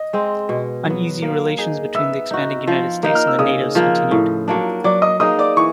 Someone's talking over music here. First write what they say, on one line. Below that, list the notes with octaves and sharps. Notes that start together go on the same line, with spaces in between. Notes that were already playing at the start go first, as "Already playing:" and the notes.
Uneasy relations between the expanding United States and the natives continued.
Already playing: D#5
G#3 C4
B2
F#3 B3
A#3
D#4 G#4
B3 E5 E6
D#4 F#4
F3
A#3 D#4
F6
E6
C#3 D#5 D#6
F3 A#3
A2
F#3 A#3 D4
F#3 D5 D6
D#5 D#6
A#3 D#4 G#4 D#5 D#6
D5 D6
E3 C#6